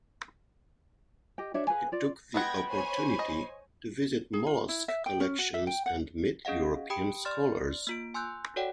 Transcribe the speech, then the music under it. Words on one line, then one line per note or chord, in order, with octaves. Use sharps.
He took the opportunity to visit mollusk collections and meet European scholars.
G4 D#5 G5
D4 F#4 C#5 E5
G#4 B4 F5 G#5
F4 D5
G#3 B3 F#5 G5 B5 G#6 A#6
C5 C#5 G#5
D#5
G#4
F4
E4
E5
G5
C#4
F#4
E5
G5
F#5
C#4 G#4 D#5 F5 F#5
G4 G5 B5 D#6 C#7 D7
D5 C6 F6 A6
A#3 F4 D7
G#5 C6 E6 F#6 G6
F#4 A4 C#5 D5 F#5 G5